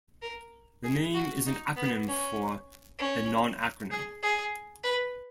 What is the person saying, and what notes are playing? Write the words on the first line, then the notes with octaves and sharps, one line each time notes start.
The name is an acronym for "A Non Acronym".
A#4
G#4
F#4
D#4
B3
C#4
C#4
G#4
G#4
B4